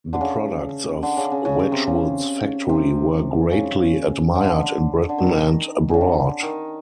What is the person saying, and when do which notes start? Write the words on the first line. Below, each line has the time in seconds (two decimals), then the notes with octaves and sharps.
The products of Wedgwood's factory were greatly admired in Britain and abroad.
0.13 D3
0.21 C#3
1.03 D3
1.17 C#3
1.32 C#3
1.45 C#3
1.59 C#3
1.72 C3
1.87 C#3
2.69 C3
3.52 C#3
4.35 D3
5.09 D3
5.18 D#3
5.94 C#3
6.01 D3
6.43 D#3